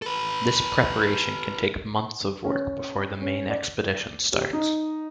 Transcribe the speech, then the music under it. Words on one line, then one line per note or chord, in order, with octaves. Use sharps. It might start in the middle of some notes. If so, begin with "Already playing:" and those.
This preparation can take months of work before the main expedition starts.
A4 B4
C#4
C#4
D5
G4
D#4